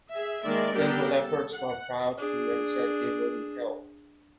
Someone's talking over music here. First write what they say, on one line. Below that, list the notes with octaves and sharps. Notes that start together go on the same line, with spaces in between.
Then the leopards got proud too and said they wouldn’t help.
G#4 E5
D#3 G#3 A#3 D5 E5
G3 B3 D4 G4 A4 A#4
A4
F#5
D4 G#4